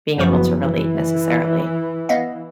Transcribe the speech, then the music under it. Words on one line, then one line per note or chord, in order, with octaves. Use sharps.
being able to relate necessarily.
F#1 F#2 F3 B3 F#4
E3
B3 D#5 F5